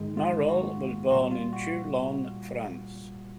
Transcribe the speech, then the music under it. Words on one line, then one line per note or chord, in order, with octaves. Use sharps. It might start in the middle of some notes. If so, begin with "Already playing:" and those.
Mayol was born in Toulon, France.
Already playing: G#2 D#3 G#3
F4
F#4
A#2 G3 F#4
F4
F#4